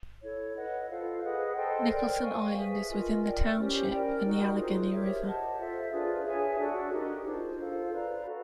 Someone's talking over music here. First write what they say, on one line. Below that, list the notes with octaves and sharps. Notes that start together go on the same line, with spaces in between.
Nicholson Island is within the township in the Allegheny River.
E4 A4 C#5
B4 D#5 F#5
F4 A4 C5 F5
G#4 B4 D#5 F#5
A4 C5 D#5 G5
A#4 D5 G5
C5 F5 G#5 C#6
G#4 B4 E5 G#5
F4 A#4 D#5
A#4 D5 G5
C#4 E4 G4 C5
A#4 D5 G5
D#4 F#4 A#4
F4 G#4 C5
G4 A#4 C#5 E5
C5 D#5 F#5 A5
F4 A4 C5 E5
D4 F4 G#4 B4
G#4 C#5 E5 G#5
D4 F#4 A4
D#4 G4 A#4
D4 F4 G#4 C5
F4 A4 C5 F5
B4 D5 F5 A#5
F#4 A4